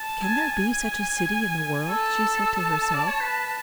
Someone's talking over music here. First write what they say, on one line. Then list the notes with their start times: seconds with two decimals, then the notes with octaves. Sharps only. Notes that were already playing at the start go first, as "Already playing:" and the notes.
"Can there be such a city in the world?" she said to herself.
Already playing: A5
0.23 G#5
0.56 G#5
1.89 A4 A5
2.54 A4
2.94 D5
3.08 C#5
3.21 B4
3.46 B4